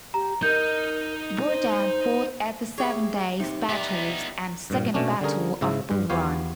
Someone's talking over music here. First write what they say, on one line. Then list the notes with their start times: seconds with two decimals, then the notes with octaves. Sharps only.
Berdan fought at the Seven Days Battles and Second Battle of Bull Run.
0.14 G4 A#5
0.43 D#4 A#4 D#5 G6
1.47 C5
2.78 E4 G4 G#4 C#5
3.40 C3 D#4 G4
3.69 B3 D#4 G4 D5 E5
4.70 G2 A#2
4.94 B2 A3 C#4 D4
5.21 D3 G3 C#4 G#4 A#4
5.61 G#2 C#3 E4
5.91 G2
6.10 E2 B3 F4 G4 C#5 F5